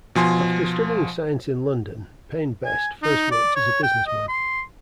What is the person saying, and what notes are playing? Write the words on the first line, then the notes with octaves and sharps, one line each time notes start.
After studying science in London, Payne Best first worked as a businessman.
B2 F3 G#5 C6
G#5
D#4
D5
C#5
G5
D#5
C6